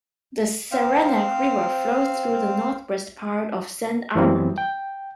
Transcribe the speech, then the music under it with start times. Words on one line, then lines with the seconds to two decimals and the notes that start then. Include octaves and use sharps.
The Saranac River flows through the northwest part of Saint Armand.
0.72 C4 C5 F5
4.15 F#2 E3 F#3 G3 B3 C4
4.58 G5